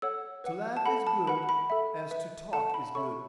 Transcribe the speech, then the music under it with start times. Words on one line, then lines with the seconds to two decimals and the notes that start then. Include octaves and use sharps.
To laugh is good, as to talk is good.
0.02 A4 C#5 F#5 E6
0.44 B4 F#5
0.77 A5
0.86 A4 F#5 B5
1.07 A5
1.27 B4 F#5 B5
1.49 B5
1.70 A4 E5
2.11 B4 E5
2.53 A4 F#5 A5
2.74 B5
2.95 A4 C#5 E5 C#6